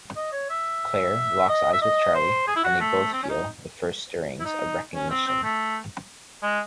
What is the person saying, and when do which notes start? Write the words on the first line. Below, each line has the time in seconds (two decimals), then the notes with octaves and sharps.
Claire locks eyes with Charlie, and they both feel the first stirrings of recognition.
0.16 D#5
0.32 C#5
0.50 E5
1.49 D#5
1.73 E5
1.82 D#5
2.15 C5
2.48 G#4
2.56 E4
2.64 F#4
2.80 A3
3.13 C4
3.23 C#4
3.29 D#4
4.40 E4
4.45 D#4
4.95 C#4
5.10 C4
5.27 C4
5.44 A3
6.43 G#3